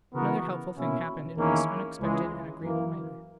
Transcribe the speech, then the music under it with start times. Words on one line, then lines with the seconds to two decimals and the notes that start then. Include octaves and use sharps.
Another helpful thing happened in a most unexpected and agreeable manner.
0.14 C#3 E3 B3 F#4 A#4
0.75 B2 A#3 C#4 E4
1.37 E2 D#3 A#3 C#4 E4
1.99 C#2 C#3 E3 G#3
2.62 F#2 E3 A#3